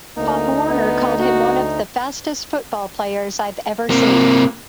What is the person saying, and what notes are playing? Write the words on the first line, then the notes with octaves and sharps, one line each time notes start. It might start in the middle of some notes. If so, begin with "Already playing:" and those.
Pop Warner called him one of the fastest football players I've ever seen.
D2 A#3 D#4
B3
F#4
C3 A#3